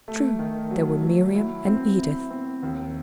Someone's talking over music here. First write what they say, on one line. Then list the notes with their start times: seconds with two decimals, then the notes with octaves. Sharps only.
True, there were Miriam and Edith!
0.08 A3
0.39 D#3
0.71 F#3
1.03 F#3
1.35 E4
1.67 C4
1.99 E4
2.30 C4
2.63 D#2